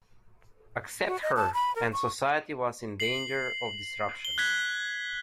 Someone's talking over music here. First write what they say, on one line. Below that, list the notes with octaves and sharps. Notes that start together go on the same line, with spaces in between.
Accept her, and society was in danger of disruption.
F#4
D#5
A5
B5
A#4
C#6
C7 F#7
G7
F#6 G#6 B6